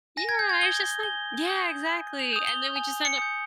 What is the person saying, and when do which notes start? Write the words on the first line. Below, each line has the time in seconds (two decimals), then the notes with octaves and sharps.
Yeah, it's just like Yeah, exactly, and then we'd just end up
0.17 G#5 A#6
0.29 G#6
0.39 G6
0.49 G#6
0.61 D#6 G6 G7
1.03 G#5 G7
1.47 D#6 G6
1.89 G#5
2.19 F7
2.33 D#6 G6
2.47 G7
2.76 G#5
3.05 C#7
3.19 D#6 G6